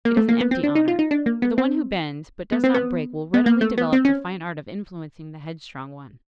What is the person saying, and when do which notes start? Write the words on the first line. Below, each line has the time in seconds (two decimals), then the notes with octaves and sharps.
It is an empty honor, for the one who bends but does not break will readily develop the fine art of influencing the headstrong one.
0.05 A#3
0.17 A3
0.29 A#3
0.41 B3
0.51 C4
0.63 D4
0.75 D#4
0.88 F4
0.99 D#4
1.11 D4
1.26 A#3
1.42 B3
1.58 C4
2.52 B3
2.64 C4
2.74 B3
3.34 B3
3.46 A#3
3.61 A3
3.78 B3
3.93 C4
4.05 C#4